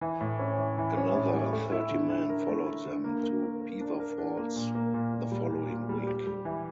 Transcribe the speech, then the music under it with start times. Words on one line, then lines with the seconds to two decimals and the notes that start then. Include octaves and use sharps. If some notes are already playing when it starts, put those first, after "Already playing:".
Another thirty men followed them to Beaver Falls the following week.
0.01 E3
0.21 A2
0.39 C#4
0.58 E3
0.78 E3
0.97 C#4
1.15 A2
1.34 G3
1.53 A3
1.72 E4
1.91 D3
2.10 E4
2.29 A#4
2.48 A3
2.66 E4
2.86 D3
3.04 A#3
3.23 A#4
3.43 A#4
3.61 A#4
3.81 D4
4.00 A#4
4.18 D4
4.37 A#3
4.56 A#2
4.75 A#3
4.94 A#2
5.14 A#2
5.31 G3
5.50 A#2
5.70 A#2
5.89 G3
6.07 G4
6.27 G3
6.45 E3